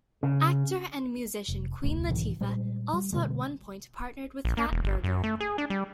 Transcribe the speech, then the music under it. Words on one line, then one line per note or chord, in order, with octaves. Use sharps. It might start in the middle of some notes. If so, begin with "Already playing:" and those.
Actor and musician Queen Latifah also at one point partnered with Fatburger.
C#3
F1
F1 D2 D3
B1 G#2 D#3 E3
A#2 G3 G#3
G3
B2 D3 G3 G#3
A#1
A#3
E1
G1
F#2
A3
G#4
D4
G3